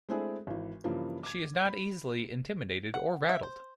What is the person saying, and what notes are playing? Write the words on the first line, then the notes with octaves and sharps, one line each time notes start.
She is not easily intimidated or rattled.
G#3 A3 C4 D4 E4 G#4
G#1 E3
G2 C#3 E3 F3 A#3
D6 G#6
B5
F#5
E5
C5